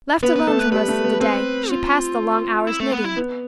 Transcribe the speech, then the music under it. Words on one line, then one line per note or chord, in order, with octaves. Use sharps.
Left alone for most of the day, she passed the long hours knitting.
B3 B4
B3 B4
A3 A4
B4
G3 B4
A3
B3
C4 B4
F4
E4
A3
B3
E4
B3